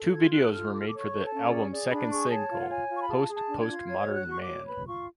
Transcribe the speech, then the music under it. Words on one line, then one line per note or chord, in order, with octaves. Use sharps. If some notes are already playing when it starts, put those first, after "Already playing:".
Two videos were made for the album's second single, "Post Post-Modern Man".
Already playing: A4
F4 G#6
A4 F#6
F4 F6
A4 D6
F6
D6
C#5
C#6
A4
A5
C#4
G#4 D5
G#4 D5
D4 B5
G#4 C#6
C#5 A5
F4
F#5
C#5 G#5
F4 C#6
B5
G#4 A5
G#4
A5
D4
G#6
F4
C#5 G#6
F#4
F#6
F#4 C#6
D6
C#5
B4 B5
F4 C#6